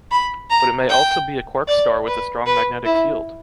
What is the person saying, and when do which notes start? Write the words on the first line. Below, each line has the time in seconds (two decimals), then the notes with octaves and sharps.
But it may also be a quark star with a strong magnetic field.
0.11 B5
0.50 A#5
0.90 G5
1.68 D5
2.07 B4
2.46 B4
2.85 E4